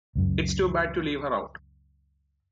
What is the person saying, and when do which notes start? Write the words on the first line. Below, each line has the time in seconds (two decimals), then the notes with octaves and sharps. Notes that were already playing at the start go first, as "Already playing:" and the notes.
It's too bad to leave her out.
0.15 C#2 F#2